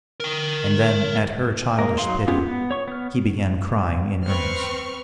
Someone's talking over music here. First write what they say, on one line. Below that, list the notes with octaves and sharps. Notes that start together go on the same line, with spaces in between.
And then, at her childish pity, he began crying in earnest.
A#4 G5
G#3 A#3 A#4
F#3 D#4 F5 C6
G#3 B3 C#4 F4 G4
B3
C#5 C#6
B3 F6
C4 B4 C#6 F6